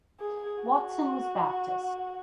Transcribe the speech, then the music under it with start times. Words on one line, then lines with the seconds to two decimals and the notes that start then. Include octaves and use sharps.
Watson was Baptist.
0.20 G#4
0.63 F#4